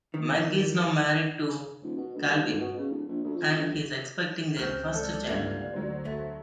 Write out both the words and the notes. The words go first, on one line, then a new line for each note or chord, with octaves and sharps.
Meg is now married to Calvin and is expecting their first child.
D#3
D#1
B2
D2
G2
G#1
B2
C#3
D1
A#1
D2
F2
G1
C#2 C#3 C4 F6 G6
A4 D5
A#2 D3 E3 G3 F5 G#6
D2 F#3 C5
A3